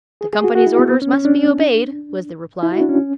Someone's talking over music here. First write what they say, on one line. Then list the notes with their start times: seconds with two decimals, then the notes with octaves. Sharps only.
"The company's orders must be obeyed," was the reply.
0.21 G#4
0.33 G#4
0.44 F#4
0.55 F#4
0.67 E4
0.79 B3
0.89 B3
1.02 C#4
1.13 C#4
1.25 D4
2.63 E4
2.72 F#4
2.81 D4
2.89 C#4